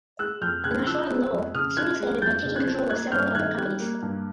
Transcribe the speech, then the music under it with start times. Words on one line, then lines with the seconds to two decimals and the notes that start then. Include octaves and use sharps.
The Nashua and Lowell soon expanded by taking control of several other companies.
0.19 G#3 E6 F#6
0.41 F2 F6 G6
0.64 C#3 F#6 G#6
0.87 F3 E6 F#6
1.09 G#3
1.32 F2
1.54 C#3 D#6 F6
1.77 F3 F#6 G#6
2.00 G#3
2.22 F2 G6 A6
2.44 C#3
2.55 F#6 G#6
2.67 F3
2.90 A#3 F#6 G#6
3.12 G2 F6 G6
3.35 D#3 F#6 G#6
3.57 G3 F#6 G#6
3.80 A#3
4.02 G2